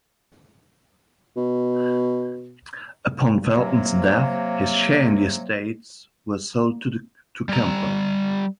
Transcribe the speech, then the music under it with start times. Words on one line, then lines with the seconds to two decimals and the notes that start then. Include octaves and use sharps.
Upon Felton's death, his share in the Estates were sold to Campbell.
1.37 B2
3.56 C3 F#3 A#3
7.49 G3 A#5